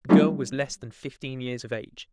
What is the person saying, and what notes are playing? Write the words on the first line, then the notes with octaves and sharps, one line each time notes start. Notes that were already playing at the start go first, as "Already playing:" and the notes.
The girl was less than fifteen years of age.
F#3 G3 A3 C#4 D#4 F4